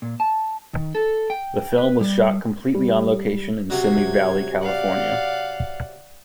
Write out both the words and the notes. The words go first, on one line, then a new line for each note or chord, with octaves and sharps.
The film was shot completely on location in Simi Valley, California.
A#2
A5
D#3
A4
G5
B4
G3
G3
C3 F#3 G#6
D5 F5 F#5